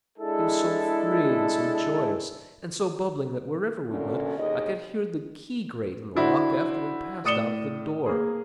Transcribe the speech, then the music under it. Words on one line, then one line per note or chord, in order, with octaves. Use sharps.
He was so free, and so joyous, and so bubbling, that wherever we went I could hear the key grate in the lock after we passed out of the door.
G#3 D4 E4 G#4 A4
F#2 A#2 D3 C#4 A4
D#2 G#4 D#5
D3 D4 E4 F#4 C5
A2 D5 D#6 C#7 E7 G7
A#3 G#4